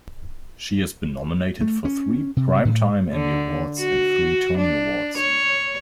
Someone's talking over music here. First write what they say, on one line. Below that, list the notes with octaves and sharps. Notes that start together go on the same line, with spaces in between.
She has been nominated for three Primetime Emmy Awards and three Tony Awards.
A3
C#4
C3
A2
D3
F#4
D4
C#5